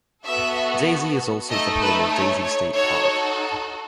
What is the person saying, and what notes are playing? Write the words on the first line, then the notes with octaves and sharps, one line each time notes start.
Daisy is also the home of Daisy State Park.
B3 F#4 A4 E5
A3 D#4 A4 D#5
B4
C#5
C#5
D#4 F#4 A4 C#5